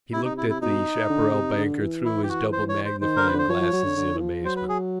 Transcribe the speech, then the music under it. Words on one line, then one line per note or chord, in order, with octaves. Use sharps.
He looked at the chaparral banker through his double-magnifying glasses in amazement.
C3 E4
D#4
E4
E4
B2 D#4
D3
C3
D3
E3
E4
G4
F#4
C5
C#5
C5
D#3 C5
D3 A#4
B4
D3 C5
F3 C#5
F3
F#3
D3
D3
E3
F3
F#3 C5
B4
G#4